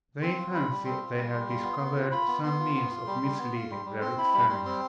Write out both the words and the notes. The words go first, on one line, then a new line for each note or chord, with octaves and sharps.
They fancy they have discovered some means of misleading their examiner.
C4 C6
F4
G3 B5
G3
C4 C6
F4
G3
G3
F4
B3
B3
F4
F4 B5
B3
B3 C6
F4
B3
F4
G3
G3
B3
F4
G3
G3
C4 C6
E4 B5
G3 B5
G3 C6
C4 C6